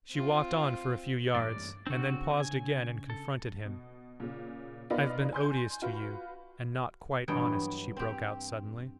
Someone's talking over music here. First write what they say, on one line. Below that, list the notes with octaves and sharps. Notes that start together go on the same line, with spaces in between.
She walked on for a few yards, and then paused again and confronted him. "I've been odious to you--and not quite honest," she broke out suddenly.
C4 F4
A1 G2 A#3 D5
C#3 C4 D4 F#4
G#5
A4
B2
A#2 C#3
B3 D#4 F4 A#4 B4 D5
G#5 C6 G6
F4 F#4 B4
G2 E3 F#3 B3 D#5 G5
C4 G4